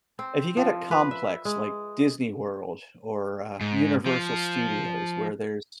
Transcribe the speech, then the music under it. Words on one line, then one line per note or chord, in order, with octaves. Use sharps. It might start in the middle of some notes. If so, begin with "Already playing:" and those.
if you get a complex like Disney World or, uh, Universal Studios, where there's
C4
F3
B4
E5
G#3
G#2
F3